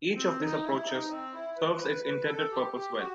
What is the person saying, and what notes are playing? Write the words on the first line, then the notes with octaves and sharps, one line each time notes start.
Each of these approaches serves its intended purpose well.
C4
D#4
E4
D#4
C4
E4
B4
B4
B4
A4
G4
G4
F#4